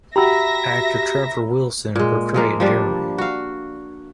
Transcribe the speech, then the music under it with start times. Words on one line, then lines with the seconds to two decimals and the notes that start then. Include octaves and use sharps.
Actor Trevor Wilson portrayed Jeremy.
0.16 F#4 G4 E5 A#5 B5 E6 A#6
1.96 A#2 G#3
2.34 F3 G#3 A#3
2.60 F3 G3 D4
3.18 F#4 F5